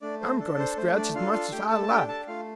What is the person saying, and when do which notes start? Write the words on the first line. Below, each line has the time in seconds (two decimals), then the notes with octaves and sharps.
"I'm going to scratch as much as I like!"
0.01 A3 D4 D5
0.21 C5
0.39 D4 A4
0.59 C5
0.77 A3 C5
0.96 D4 D5
1.14 D4 F4 A4 F5
1.33 F4 F5
1.52 A3 G4 G5
1.71 A4 A5
1.83 A5
1.90 D4 G4 A4 G5
2.08 A4 A5
2.27 A3 F4 F5